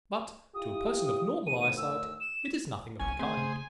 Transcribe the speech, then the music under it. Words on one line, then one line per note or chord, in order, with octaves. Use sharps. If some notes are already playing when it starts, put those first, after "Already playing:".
But, to a person of normal eyesight, it is nothing of the kind.
E4 F4 G4 D#6
D#2 A2 D#7
E6
E7
G1 C2 C#4 G#5
A3 C4 G#4 C5 G#5
C#3